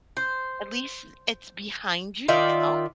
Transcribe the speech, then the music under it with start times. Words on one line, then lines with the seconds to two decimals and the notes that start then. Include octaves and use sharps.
at least it's behind you now.
0.17 C5
2.28 D#3 F4 D5 E5